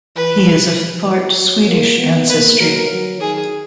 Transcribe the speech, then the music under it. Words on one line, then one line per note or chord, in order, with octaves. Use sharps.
He is of part Swedish ancestry.
E3 B4
F#3
E3
F#3
F#3
A#3
B3
A#3 B4
F#3 A#4
F#3
D#3 G#4